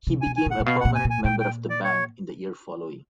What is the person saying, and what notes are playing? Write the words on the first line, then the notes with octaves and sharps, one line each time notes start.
He became a permanent member of the band in the year following.
C3
B2 G#5
G#5
A#2 F#5
A#2
B2 F5
A#2 F#5
G#5
A#2
G#5
A#2 G5
G5
D5
C#5